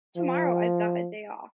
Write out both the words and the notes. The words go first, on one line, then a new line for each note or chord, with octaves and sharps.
Tomorrow I’ve got a day off.
F3